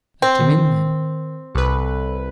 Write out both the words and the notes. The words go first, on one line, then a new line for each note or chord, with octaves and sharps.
"Let him in, then."
C4
D#3
C2 A4 B4